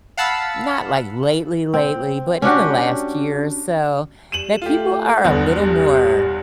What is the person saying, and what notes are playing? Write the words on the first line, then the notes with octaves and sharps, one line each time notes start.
not, like, lately, lately, but in the last year or so, that people are a little more
F5 F#5 A5 B5 E6
C4
C#4 D4 F#4 G4
G3 D#7 E7 F#7
A3 F4 G4
G1 E2 G2 B3
G4